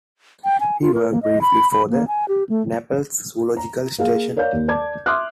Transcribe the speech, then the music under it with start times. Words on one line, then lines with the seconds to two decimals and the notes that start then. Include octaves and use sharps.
He worked briefly for the Naples Zoological Station.
0.44 G5
0.60 G#5
0.82 F4
0.94 A#4
1.11 A#3
1.22 D#5
1.41 B5
1.72 B5
1.90 A#3
2.08 G#5
2.28 G4
2.49 A3
3.57 A#5
3.99 A#3 G#4 F5
4.36 A#4 C#5 D5 F5 G6
4.53 D#2
4.68 D5 A5 D6 G#6
5.06 E5 C6 D6 D#6 F6 F#6